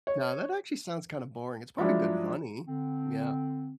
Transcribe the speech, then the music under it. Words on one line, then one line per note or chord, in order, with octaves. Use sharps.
No, that actually sounds kinda boring, it's probably good money. Yeah.
C#5
F3 F#3 G#3 D4 E4
D3 C4